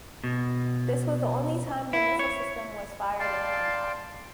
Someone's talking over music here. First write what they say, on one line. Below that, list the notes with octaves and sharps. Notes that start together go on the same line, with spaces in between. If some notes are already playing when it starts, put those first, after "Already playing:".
This was the only time the missile system was fired in combat.
B2
E4
C#5
D5 F5 G5 A5 C6